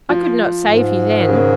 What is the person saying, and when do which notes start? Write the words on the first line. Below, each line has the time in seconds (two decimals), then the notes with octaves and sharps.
I could not save you then.
0.10 F3
0.66 G#2
1.21 D#3
1.29 C#3
1.37 D#3